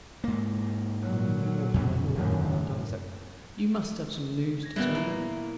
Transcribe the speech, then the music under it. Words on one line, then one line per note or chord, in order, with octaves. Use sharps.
"Oh, my lord, my lord," whined Isaac, "you must have some news to tell me."
G#2 A#3
A#2 F#3
F2 B2 D3
E1 F#2 A2 D#3
G#6 A#6
A#2 E3 G3 B3
A#3 E4